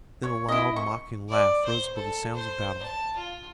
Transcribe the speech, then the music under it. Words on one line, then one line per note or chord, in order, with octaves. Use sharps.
Then a loud mocking laugh rose above the sounds of battle.
C#5
E4 D#5
C#6
D5
C5
A4
C5
A5
F4